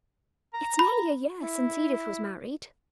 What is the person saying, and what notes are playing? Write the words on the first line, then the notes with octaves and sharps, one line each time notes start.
It's nearly a year since Edith was married!'
A#5
B5
E4